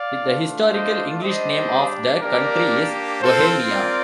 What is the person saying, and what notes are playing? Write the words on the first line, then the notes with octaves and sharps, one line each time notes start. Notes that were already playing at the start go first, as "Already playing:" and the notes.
The historical English name of the country is Bohemia.
Already playing: D5 F5
A3 D4 F4
C5 D#5
G3 D4 G4 C5 D#5
A#3 D4 G4 A#4 D5
C4 F4 A4 C5
A#4 D5